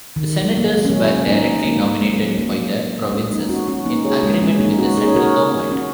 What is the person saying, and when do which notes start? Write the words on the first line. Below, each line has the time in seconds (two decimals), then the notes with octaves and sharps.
The senators were directly nominated by the provinces in agreement with the central government.
0.16 D#3
0.41 F#3
0.57 A#3
0.66 G#3
0.85 C#4
0.90 F#3 A#3
1.27 A#3 D#4
1.64 A#3 D#4
1.78 A#3
1.82 G#3 C#4
2.01 F#3 A#3
2.20 F#3
2.38 F#3 A#3
3.12 G#3 C#4
3.31 A#3 D#4
3.49 C#4 F#4
3.68 C#4 F#4
3.86 A#3 D#4
4.05 G#4 C#5
4.23 G#3 C#4
4.41 G#3 C#4
4.60 A#3 D#4
4.78 C#4 F#4
4.97 D#4 G#4
5.08 C#5
5.15 F#4 A#4
5.71 C#4 F#4